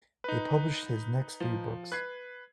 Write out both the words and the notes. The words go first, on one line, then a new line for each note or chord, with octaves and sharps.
They published his next three books.
D#4 B4
F3
B4 F#6 G#6 C7